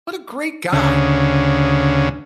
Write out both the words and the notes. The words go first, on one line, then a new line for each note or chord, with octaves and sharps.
What a great guy.
D2 C#3